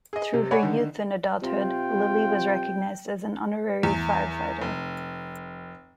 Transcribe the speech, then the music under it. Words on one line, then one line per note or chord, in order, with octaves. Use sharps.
Through her youth and adulthood Lillie was recognized as an honorary firefighter.
G#4 D#5
C3
C#5 D5 F#5 G#5 B5
D3 D#3
C3 F4 G5
E2
F1